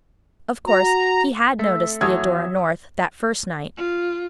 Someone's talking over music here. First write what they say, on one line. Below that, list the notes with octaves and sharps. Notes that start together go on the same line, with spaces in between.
Of course, he had noticed Theodora North that first night.
F#4 A#5
A3 C4 E5
E2 F#3 A4 E5 A5 D#6 E6 G#6
F4